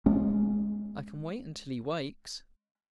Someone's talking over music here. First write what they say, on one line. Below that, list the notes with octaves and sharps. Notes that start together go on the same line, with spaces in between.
"I can wait until he awakes."
G#3 C#4